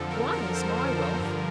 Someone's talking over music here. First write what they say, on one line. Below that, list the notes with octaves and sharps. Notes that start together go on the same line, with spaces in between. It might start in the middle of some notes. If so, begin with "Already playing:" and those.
ONE is my wealth!
Already playing: F2 D3 F3 A4
A#4
A#4
C5
C5
G2 D3 F3 A#4